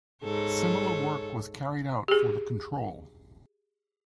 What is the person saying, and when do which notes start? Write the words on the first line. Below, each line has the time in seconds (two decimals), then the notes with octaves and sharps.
Similar work was carried out for the control.
0.24 G#2 A4 C#5
2.08 G4 G#4